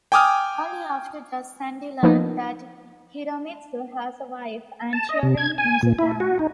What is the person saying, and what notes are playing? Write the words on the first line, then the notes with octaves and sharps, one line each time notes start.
Only after does Sandy learn that Hiromitsu has a wife and children in Japan.
G5 G#5 D6 D#6 F6
F3 A#3 B3 D#4
A5
D#5
C3
G#6
G#5
A#2
E4
F#4
D#4